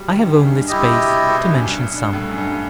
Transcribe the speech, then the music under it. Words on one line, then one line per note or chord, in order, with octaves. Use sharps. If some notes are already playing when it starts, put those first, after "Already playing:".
I have only space to mention some.
Already playing: F#3 G3
D#3
G2
F#2
G2
G2
G2 E4 G4 D#5
B2
C3
C3
C3
B2
G2
F#2
G2
G2
G2
A2
F#2
G2